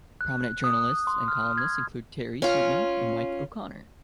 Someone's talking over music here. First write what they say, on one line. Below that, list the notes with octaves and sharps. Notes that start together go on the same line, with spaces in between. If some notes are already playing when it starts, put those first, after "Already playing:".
Prominent journalists and columnists include Terry Sweetman and Mike O'Connor.
F#6
D#6
C6
F6
G#6
C#4 F4